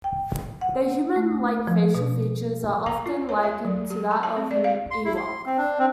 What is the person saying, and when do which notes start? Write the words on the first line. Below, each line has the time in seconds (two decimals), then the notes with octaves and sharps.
Their human-like facial features are often likened to that of an Ewok.
0.04 G5
0.61 F#5
1.16 A3
1.67 F3
1.95 B2
2.86 A#5
3.06 F4
3.29 C#5
3.43 E5
3.65 F#3
3.90 G4
4.11 B5
4.23 A5
4.36 C4
4.51 D5
4.64 F5
4.91 C6
5.05 E4
5.17 C6
5.46 C4
5.58 D4
5.79 C4